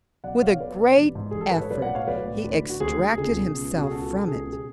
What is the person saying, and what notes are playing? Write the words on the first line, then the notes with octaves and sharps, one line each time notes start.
With a great effort he extracted himself from it.
B1 D5 F#5
B2 C#5 F5
B1 B4 D5
B2
A1
G#2
A1 G#4
A4
G#2 B4
C#5
B1 B4 D5
D5 F#5
A2
C#5 F5
B1 B4 D5
A2
D2
D3
F#4
D2 G#4
D3
C#2 G#4
B2 G#4
C#2
B2 F#4
G#4
C#2 F#4 A4
B2
C#2 G#4
B2
G#4